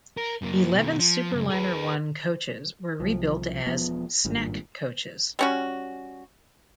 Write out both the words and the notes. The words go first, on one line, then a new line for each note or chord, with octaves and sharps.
Eleven Superliner I coaches were rebuilt as "snack coaches".
A#4
F#2 A#3
B2 D#3
F3
F#2 C#3
G#4 B4
C2 F3
E1 F3 B3
G#1 G2 A#2
G3 C#4 F#4